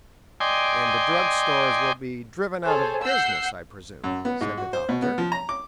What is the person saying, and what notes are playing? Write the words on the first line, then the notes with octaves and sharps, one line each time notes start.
"And the drug stores will be driven out of business, I presume," said the Doctor.
D5 D#5 G5 G#5 C6
G#4 A4 C5 C#5
F#5 E6 G6 C7
F#2
B3
G#2
F#4
C5
B2
B3
F3
A#5
D6